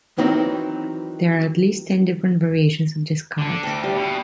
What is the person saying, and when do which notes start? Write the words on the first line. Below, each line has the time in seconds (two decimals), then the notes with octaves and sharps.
There are at least ten different variations of this card.
0.18 D#3 E3 F#3 C4 D#4
3.38 D3 D4
3.63 D2 G5 D6
3.84 G3
3.96 B2